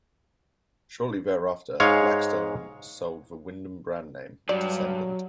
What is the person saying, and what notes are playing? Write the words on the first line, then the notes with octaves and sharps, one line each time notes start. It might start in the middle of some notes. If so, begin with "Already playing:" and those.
Shortly thereafter, Blackstone sold the Wyndham brand name to Cendant.
G#2 G#3 C#5 F5
G2 F#3 D5